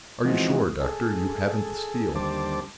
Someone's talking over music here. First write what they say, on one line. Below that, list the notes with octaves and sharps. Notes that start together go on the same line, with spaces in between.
"Are you sure, Doctor, you haven't the steel?"
E3 F3 G#3 C4 D#4 F#4
G#4 A4
D#2 D3 G3 C5 A5 D6